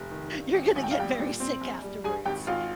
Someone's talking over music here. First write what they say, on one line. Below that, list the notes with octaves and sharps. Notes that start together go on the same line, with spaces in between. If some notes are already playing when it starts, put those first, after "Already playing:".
you're gonna get very sick afterwards.
Already playing: F1
D#3
G2
G#1
G#1 G#5
G5
F5
G3 G4 G5
A#2
C4
A#1
G3
G2 G#4 G#5
G#1 G4 G5
G#1 F4 F5